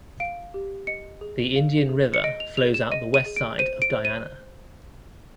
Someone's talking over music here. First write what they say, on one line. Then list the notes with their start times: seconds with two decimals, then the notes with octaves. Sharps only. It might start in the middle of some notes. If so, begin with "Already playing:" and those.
The Indian River flows out the west side of Diana.
0.20 F5 D7
0.54 G4
0.87 D#5 C#7
1.21 G#4
1.56 F5
1.89 G#4
2.14 C#7
2.24 D#5 D7
2.40 F7
2.57 G#4 F7
2.74 E7
2.92 D#5 D#7
3.14 D#7
3.26 G#4
3.36 D7
3.59 C5 D#7
3.82 D7
3.94 C5
4.05 D#7